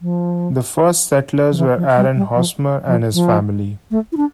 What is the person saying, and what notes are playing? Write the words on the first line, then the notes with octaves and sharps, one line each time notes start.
The first settlers were Aaron Hosmer and his family.
F3
F3
E3
F3
G3
G3
F3
F3
F3
A3
E4
D4